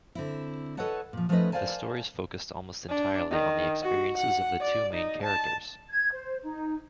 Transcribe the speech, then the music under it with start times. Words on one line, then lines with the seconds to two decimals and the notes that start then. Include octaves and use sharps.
The stories focused almost entirely on the experiences of the two main characters.
0.15 D3 C4 E4
0.77 A4 B4 C#5 D#5 F#5 A5
1.13 A#2 F3
1.29 F3 A3 C#4 D#4 B4 D#5
1.52 A#4 C5 D5 F5 G#5 A5
2.89 D4
3.31 D#3
3.82 F#4
4.18 F#5
4.61 D5
4.94 D#4
5.23 A5
5.90 G#6
6.12 C5
6.42 D#4